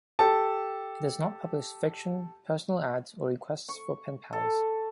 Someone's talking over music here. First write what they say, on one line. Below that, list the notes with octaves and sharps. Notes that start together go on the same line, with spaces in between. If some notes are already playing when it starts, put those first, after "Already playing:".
It does not publish fiction, personal ads, or requests for pen pals.
G4 A4 A5
C#6
A4